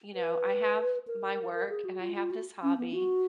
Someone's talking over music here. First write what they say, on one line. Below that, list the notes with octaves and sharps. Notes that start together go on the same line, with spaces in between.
you know, I have my work, and I have this hobby,
B4
A#4
A#4
G#4
F#4
F4
F4
F#4
C#4
B3
F#4